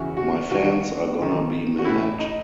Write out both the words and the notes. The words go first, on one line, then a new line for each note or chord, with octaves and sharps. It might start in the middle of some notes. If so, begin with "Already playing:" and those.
My fans are gonna be mad.
Already playing: E2 C#3 E3 F#4
F#4
E2 D#3 F#4
G#2 D#3
F#4
A2 E3 E4
D#4